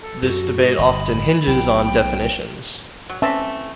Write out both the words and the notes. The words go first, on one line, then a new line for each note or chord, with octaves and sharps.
This debate often hinges on definitions.
A4
F#2 F#4
G#2 D#5
G1 B5
B1 G5
F#3
E3 A3 C4 C#4 E5 A5